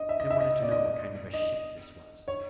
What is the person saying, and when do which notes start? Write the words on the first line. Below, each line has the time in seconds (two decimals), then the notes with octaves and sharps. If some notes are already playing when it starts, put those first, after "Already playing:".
They wanted to know what kind of a ship this was.
Already playing: D#5
0.09 E5
0.20 D#5
0.30 E5
0.40 D#5
0.62 D5
0.72 D#5
1.33 D#5
2.28 C#5